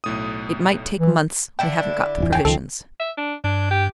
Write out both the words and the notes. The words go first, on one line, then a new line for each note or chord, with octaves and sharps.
It might take months--we haven't got the provisions.
B1 A2 D#6
E3
D3 D4 E4 G5
D1 F2 E3
C#3 A#3 G5 G#5
C#2 D#3 F3 C4 A4
E5
D4
G2 D4
G4